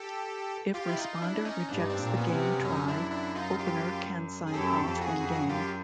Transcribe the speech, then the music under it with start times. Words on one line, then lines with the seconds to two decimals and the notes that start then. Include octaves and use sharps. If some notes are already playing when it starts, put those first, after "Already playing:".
If responder rejects the game try, opener can sign off in game.
Already playing: G4 A4
0.74 F4 G4
0.88 E4
0.98 D#4 F4
1.17 F4
1.22 D4 E4
1.36 D4
1.45 C#4 D#4
1.69 G2 D4
1.79 D#4
1.89 C4 D4
2.01 A#2
2.17 B3 C#4
2.33 C3
2.64 F#2 C#4 D#4
2.88 D4 E4
3.11 D4 E4
3.35 D#4 F4
3.59 F4 G4
4.47 G#4
4.53 F#2 G4 A4
4.85 F2
5.01 F#4 G#4
5.18 F2
5.49 F#2 F4 G4